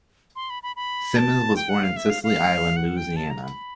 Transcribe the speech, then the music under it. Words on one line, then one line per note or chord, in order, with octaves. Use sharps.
Simmons was born in Sicily Island, Louisiana.
C6
B5
B5
B5
A5
G5
F#5
F5
E5
F5
F5
F#5
G5
A5
A#5
B5